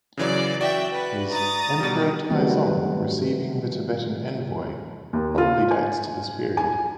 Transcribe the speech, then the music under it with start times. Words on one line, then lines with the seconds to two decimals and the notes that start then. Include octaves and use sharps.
His "Emperor Taizong Receiving the Tibetan Envoy" probably dates to this period.
0.17 C#3 E3 F#3 D5
0.61 F#4 D5 E5 G5
0.92 B4
1.31 A#5 D#6 A6
1.80 B2 G3
2.30 D#3 F#3 G3 A3 B3 C4
5.13 D#2
5.38 F4
5.71 G#5
6.57 G#5